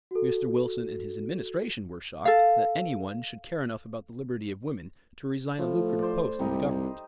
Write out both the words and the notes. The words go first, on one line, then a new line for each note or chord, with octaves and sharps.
Mr. Wilson and his Administration were shocked that any one should care enough about the liberty of women to resign a lucrative post in the Government.
F#4 A4
A4 F5
A2 F3
C5 D5
C2 G3 D#4 D#5